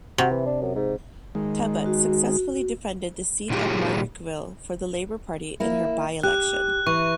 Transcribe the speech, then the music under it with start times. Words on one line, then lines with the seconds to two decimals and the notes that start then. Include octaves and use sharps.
Tebbutt successfully defended the seat of Marrickville for the Labor Party in her by-election.
0.18 C3 F#4
0.31 E3
0.46 D4
0.62 F#2
0.75 G#2
1.35 D#3 G#3
1.86 F#4
3.50 A#2 D#3 F#3 F4 G4 G#4
5.60 A#3 E4
6.23 G4 F#6
6.87 E3 C#6